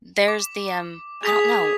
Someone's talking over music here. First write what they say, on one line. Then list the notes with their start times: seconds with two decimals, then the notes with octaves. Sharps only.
there's the, um, I don't know.
0.28 D6
1.23 G#4 D#6 B6 F7